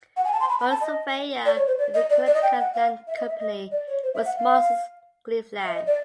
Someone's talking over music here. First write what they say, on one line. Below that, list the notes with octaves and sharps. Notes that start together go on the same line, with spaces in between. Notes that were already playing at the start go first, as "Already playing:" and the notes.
One surveyor with the Connecticut Land Company was Moses Cleaveland.
F#5
G#5
A5
C6
B5
B5
A5
D#5
D5
C#5
C5
D5
D#5
D5
D5
D#5
G5
F#5
F5
E5
D#5
E5
D#5
D5
C#5
C5
E5
F#5
F5
E5
D#5
D5